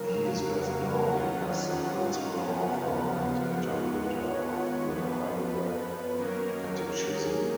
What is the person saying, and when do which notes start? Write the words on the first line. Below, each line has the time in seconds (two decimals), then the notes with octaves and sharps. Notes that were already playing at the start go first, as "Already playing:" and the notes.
He is best known as the principal author and interpreter of the "Heidelberg Catechism".
Already playing: F2 C#3 F#3 A#3 A#4
0.11 F5
0.43 F#5
1.07 D#3 F#3 C#4 F4 F#5
1.39 F#5
1.71 F#5
2.03 F5
2.35 F#2 C#3 F3 B3 F#5
2.67 F5
2.99 F#5
3.31 F#5
3.62 G#2 D#3 G#3 B3 F4 F#5
3.94 F#5
4.26 C#5
4.58 C#5
4.90 F#2 F3 B3 B4
5.54 B4
5.86 B4
6.18 D#3 F#3 A#3 C#4 A#4
7.14 G#4